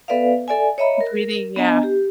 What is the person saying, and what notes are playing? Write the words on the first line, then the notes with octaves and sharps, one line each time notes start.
breathing Yeah,
B3 A4 B4 D5 E5 F5
A4 D5 E5 G#5
C#5 D#5 E5 A#5 B5
A#4
B3 D4 D#5 G#5 A#5
G4